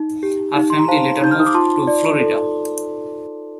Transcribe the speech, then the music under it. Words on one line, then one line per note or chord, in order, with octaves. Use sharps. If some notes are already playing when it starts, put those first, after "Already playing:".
Her family later moved to Florida.
Already playing: D#4
G4
D#4
C6
A#5
C5 F5 A5
D#4 G6
F6
D#6
D6
F4 A5 C6
D5
A4